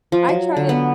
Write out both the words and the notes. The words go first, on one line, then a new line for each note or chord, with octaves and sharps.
I tried it
F3
F#3
D3
B3